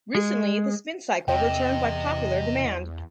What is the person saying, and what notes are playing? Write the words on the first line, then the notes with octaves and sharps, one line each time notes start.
Recently the Spin Cycle returned by popular demand.
G#3
E2 C3 D#5 G5